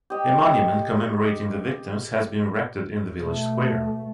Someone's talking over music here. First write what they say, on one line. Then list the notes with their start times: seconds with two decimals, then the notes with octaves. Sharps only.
A monument commemorating the victims has been erected in the village square.
0.10 G4 D#5
3.21 B2 A3